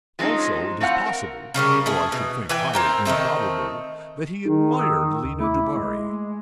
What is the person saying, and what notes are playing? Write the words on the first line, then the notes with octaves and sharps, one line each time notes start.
Also it is possible, though I should think highly improbable, that he admired Lena Dubarri.
F3 G#3 C4 C#4 D#4
A3 C4 E4 F5 F#5
A#4
C#3 G3 C#4 A#4
A3 E4 G#4
B2
E3 B4 G5 G#5
C4 A#4 G5
D#3 G#3 A3 C4
D#3 D#4 G#4
D#6 E6
D2
A3 E4 D6
G#3